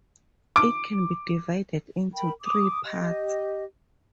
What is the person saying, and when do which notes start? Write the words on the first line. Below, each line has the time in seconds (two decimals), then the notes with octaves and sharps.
It can be divided into three parts.
0.56 D6
2.14 A#4 G5 B5
2.41 D6 D#6
2.83 G4 D#5